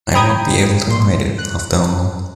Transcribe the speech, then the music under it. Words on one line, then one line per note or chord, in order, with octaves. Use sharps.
I won't be able to hide it after all.
G5 A#5 B5 D#6 G6 G#6
A#1 C6
F#6